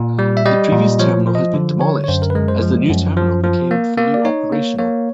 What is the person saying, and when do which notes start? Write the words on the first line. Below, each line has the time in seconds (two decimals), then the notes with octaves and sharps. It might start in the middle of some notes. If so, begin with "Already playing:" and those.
The previous terminal has been demolished, as the new terminal became fully operational.
Already playing: A#2
0.19 G3
0.37 E5
0.45 G3 D#5
0.72 A#2
0.99 F3 C#5
1.27 F3
1.35 D#5
1.54 D3
1.80 D3 C#5
2.04 C#5
2.08 F#2 C5
2.22 A#4
2.30 B4
2.35 G#3 A#4
2.48 C5
2.62 F3
2.89 F#2
3.17 F3
3.44 F3
3.71 A#3
3.97 A#3
4.14 D5
4.25 D#4 C#5
4.52 A#3
4.78 A#3 C#5